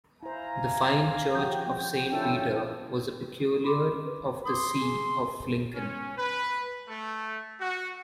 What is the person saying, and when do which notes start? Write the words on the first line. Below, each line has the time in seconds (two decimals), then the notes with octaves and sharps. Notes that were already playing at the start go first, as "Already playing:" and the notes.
The fine church of Saint Peter was a Peculiar of the see of Lincoln.
0.23 E4 C5 F5 G#5 A#5
1.35 F3 F#4 G4 G5
2.12 C#4 D4 E4 F4 A4
3.64 B5 C6 D6
4.06 B4
4.46 C6 D6 D#6
4.81 G#4 G#5
5.75 C#4
6.17 B4
6.88 A3
7.60 F#4